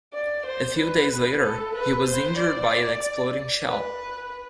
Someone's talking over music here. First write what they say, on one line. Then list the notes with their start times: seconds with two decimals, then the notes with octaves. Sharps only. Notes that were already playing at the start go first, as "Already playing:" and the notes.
A few days later he was injured by an exploding shell.
0.14 D5
0.46 C5
0.78 B4
1.42 A4
1.75 B4
2.07 C5
2.38 D5
3.66 B4